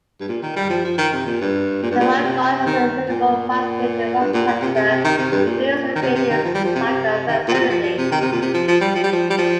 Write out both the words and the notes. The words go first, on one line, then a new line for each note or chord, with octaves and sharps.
Traralgon has a minimal bicycle infrastructure, with few segregated cycle facilities.
G2
A#2
D#3
G3
F3
F3
D#3
C3
A#2
G2
A#2
G2
A#2
A#2
C3
D#3
A#2
A#2
G2
A#2
A#2
C3
C3
C3
D#3
C3
G2
A#2
D#3
C3
C3
D#3
F3
G3
F3
C3
C3
D#3
A#2
C3
A#2
F3
F3
C3
D#3
C3
A#2
C3
F3
F3
G3
F3
G3
F3
G3
F3